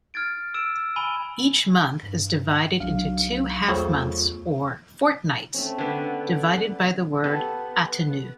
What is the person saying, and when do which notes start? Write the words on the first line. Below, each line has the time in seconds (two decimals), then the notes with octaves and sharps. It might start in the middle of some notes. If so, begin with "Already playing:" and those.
Each month is divided into two half-months or "fortnights", divided by the word "atenoux".
0.14 F6 G#6 A6 D7
0.54 E6 D7 E7
0.96 G#5 B5 D#7 G7
2.03 G2
2.80 B1 F#3 D4 F5
3.68 E2 A3 F4 G#4 C5 C#5
5.54 A3 C4 C#4
5.78 D3 B3
7.24 B3 G4 A4 D#5